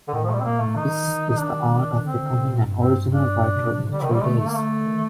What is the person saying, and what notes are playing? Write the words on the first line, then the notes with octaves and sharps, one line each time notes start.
That is the art of becoming an original writer in three days.
D3
A2 D#3
F3
A#2 G3 A3
C4
A#2 A#3
A2 A3
D#3 D#4
D#3
D#4
D#3 D4
D#3
D3 C4
D3
A#2
A#2
G2
C4
D4
C3
A#2
C3
D3 G3
C3 D#3
G3
D3 A3
A3
A#3
A3
D#3